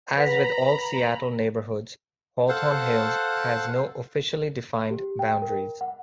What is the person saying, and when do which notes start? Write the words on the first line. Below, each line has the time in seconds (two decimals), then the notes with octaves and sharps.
As with all Seattle neighborhoods, Hawthorne Hills has no officially-defined boundaries.
0.17 B4 F#5 A#5 B5 B6
2.49 A4 C5 F5 F#5
4.91 G4
5.19 G5
5.42 A#4
5.81 F#5